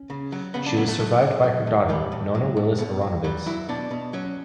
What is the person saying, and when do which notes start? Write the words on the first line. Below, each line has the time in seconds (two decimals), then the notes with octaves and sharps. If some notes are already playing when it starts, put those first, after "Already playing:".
She was survived by her daughter, Nona Willis-Aronowitz.
Already playing: C#4
0.10 C#3
0.32 F#3
0.54 C#3 B3
0.66 D4
0.76 F#3 B3
0.88 A3
1.00 F#3 A3
1.22 A2
1.44 F#3
1.67 A2
1.89 A2 G3
2.12 A2
2.35 F#3
2.57 A2
2.78 B2
3.01 F#3
3.24 F#3 G3
3.46 F#3 E4
3.69 B2 D4
3.91 B2
4.13 F#3 C#4